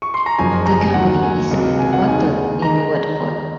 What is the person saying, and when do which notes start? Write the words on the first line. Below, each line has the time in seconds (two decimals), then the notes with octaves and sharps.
The company is headquartered in Watford.
0.02 C#6
0.14 C6
0.26 A#5
0.38 F#1 F#2 F3 G#3 G#5
0.66 A#5
0.80 G#5
0.94 D#2 D#3 F#3 F#5
1.23 G#5
1.51 C#2 C3 F#3
1.79 G#5
1.93 F#5
2.07 D#2 D#3 G#3 G#5
2.62 D#3 G#3 A#5